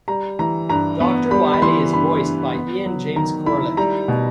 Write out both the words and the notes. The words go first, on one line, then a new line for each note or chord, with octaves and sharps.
Doctor Wily is voiced by Ian James Corlett.
G3 A#5
E3 A#5
G2 A#5
B3
G3 B5
B5
E3 C6
G2 B5
G2
B3
F#3
D#3 A#5
E4 B5
G3 A#5
B2